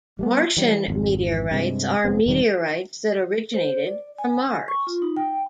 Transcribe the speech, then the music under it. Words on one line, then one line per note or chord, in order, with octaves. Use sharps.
Martian meteorites are meteorites that originated from Mars.
G3 G#3 B3
E3 G3
G#1 F2
G2 C3 G#3
F1 G2 B3 C4
E1 G2 D#3 G3
C5
D5
G#5
C#6
F4
D#4
G5